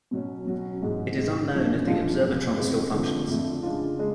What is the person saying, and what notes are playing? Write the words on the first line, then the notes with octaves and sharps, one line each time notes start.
It is unknown if the Observatron still functions.
B2 F#3 C#4
B2 F#3 C#4
A1 G#2 G#3
A1 G#2 G#3
F#2 F3 G#3 D4 F4
F#2 F3 G#3 D4 F4
F2 C#3 G#3 B3
F2 C#3 G#3 B3
F2 D3 F3 A3
F2 D3 F3 A3
C#3 G#3 D4 F4
C#3 G#3